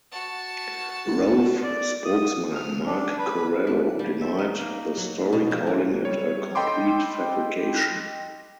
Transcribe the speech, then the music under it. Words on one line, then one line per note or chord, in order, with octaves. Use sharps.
Rove spokesman Mark Corallo denied the story, calling it "a complete fabrication".
F#4 A5
D5
D#6
F6
D4
B4
D4
G3
E5
D#4
A#3
F#3
B2
F3
E3
G3 C#5
A4 D#5 G5 B5 C6 D6